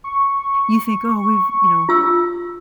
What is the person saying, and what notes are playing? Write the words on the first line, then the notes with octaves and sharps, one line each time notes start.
you think, "Oh, we've you know,
C#6
F4 E6